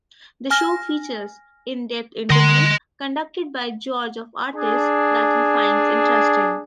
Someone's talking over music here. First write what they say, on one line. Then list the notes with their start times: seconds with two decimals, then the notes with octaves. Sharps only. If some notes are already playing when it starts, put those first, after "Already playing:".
The show features in-depth interviews conducted by George of artists that he finds interesting.
0.50 G#5 F6 A#6
2.30 D3 D#5 C6
4.55 D4 G#4